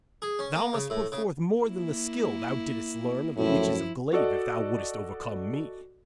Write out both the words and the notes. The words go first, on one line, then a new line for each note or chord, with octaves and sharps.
'Thou must put forth more than the skill thou didst learn of the witches of Glaive if thou wouldst overcome me.
G#4
C#4
A#3
C#3
A2
C#3
A#3 E4
F#2 A2 F3 E4
F#4 A4 D5 D#5